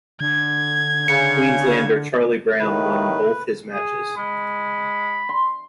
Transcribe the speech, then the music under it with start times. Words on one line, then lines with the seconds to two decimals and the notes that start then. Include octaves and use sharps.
Queenslander Charlie Brown won both his matches.
0.21 D3 G#6
1.08 C#3 C#7
2.59 D#2 A2 D#3 B4
3.73 G#4
4.17 G#3 B5
5.29 C6